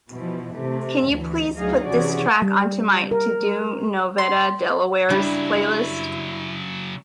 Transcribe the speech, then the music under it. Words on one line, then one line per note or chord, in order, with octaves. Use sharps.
Can you please put this track onto my TODO NOVEDADelawareS playlist?
B2 E3 F3
C3 A3
D2 E3
D2 F#3 D#4 G#4 D#5 F5
C3 E3 C#4 F#4 G#4 D5
G3
A#4
C6
C#3 F#3 G3 D4 E4